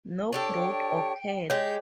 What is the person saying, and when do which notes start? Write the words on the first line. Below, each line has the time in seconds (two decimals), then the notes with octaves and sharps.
No growth occurred.
0.32 D4 G4 A4 C#5 G5
1.50 G#3 G4 C#5 G6